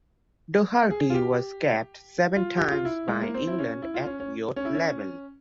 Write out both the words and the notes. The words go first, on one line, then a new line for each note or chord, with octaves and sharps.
Doherty was capped seven times by England at youth level.
G#4
F4
G4
F4
G4
F4
E4
G#3
A#3
C4
E4
C#4
E4
F4
C#4
C#4
C#4
E4
C#4